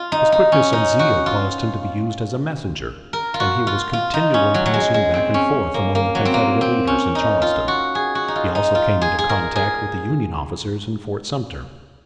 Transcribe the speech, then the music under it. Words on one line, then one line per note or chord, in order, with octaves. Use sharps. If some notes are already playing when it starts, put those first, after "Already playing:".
His quickness and zeal caused him to be used as a messenger, and he was continually passing back and forth among the Confederate leaders in Charleston. He also came into contact with the Union officers in Fort Sumter.
Already playing: F4
D#4
D#4
C#4
D#4
F#4
F4
A#4
F4
F#4
F4
F4
D#4
C#4
F#3
F#3
G#3
G#3
C4
C#4
A#3
A#3
F#3
C4
A#3
C4
C#4
D#4
F4
F#4
G#4
F#4
D#4
F4
D#4
F4
G#4
G#4
A#4
G#4